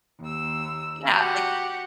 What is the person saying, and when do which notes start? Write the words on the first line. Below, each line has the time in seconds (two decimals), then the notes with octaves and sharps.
Yeah, like
0.21 D#2 E6
1.15 F#4 G4 F#5